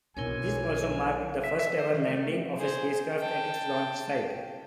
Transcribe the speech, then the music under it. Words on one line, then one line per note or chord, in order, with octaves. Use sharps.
This also marked the first-ever landing of a spacecraft at its launch site.
B1 B2 D4 E4 A#4 C#5 G#5
E5
E5
C5
D#3
A3
G#4 C5
G5 A5